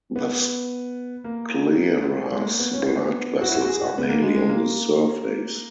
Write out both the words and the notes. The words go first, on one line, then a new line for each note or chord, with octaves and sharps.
The sclera's blood vessels are mainly on the surface.
B3
A#3
G#3
A#3
B3
C#4
B3
F#4
E4
F#4
F#4
G#4
F#4
B3
A#3
G#3
G#3
A#3